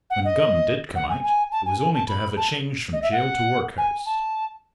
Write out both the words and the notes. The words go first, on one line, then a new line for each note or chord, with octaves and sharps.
When Gun did come out, it was only to have a change from gaol to workhouse.
F#5
D#5
F#5
G#5
G#5
A5
G#5
G#5
A5
B5
A5
D#5
E5
F#5
G#5
A5